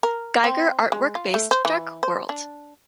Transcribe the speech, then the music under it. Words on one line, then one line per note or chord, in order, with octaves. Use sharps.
Giger artwork-based Dark World.
A#4
C4
G#3
F4
A3
C5
E3
C5
D4